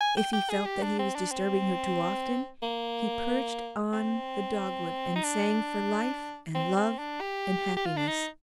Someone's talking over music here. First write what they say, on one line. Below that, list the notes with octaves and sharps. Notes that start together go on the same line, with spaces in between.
If he felt that he was disturbing her too often, he perched on the dogwood and sang for life, and love, and happiness.
G#5
G5
G5
G#4
G4
D4
C4
D4
C4
A#3
C4
D#4
D4
C4
C4
D4
G4
G4
F4
D4
D#4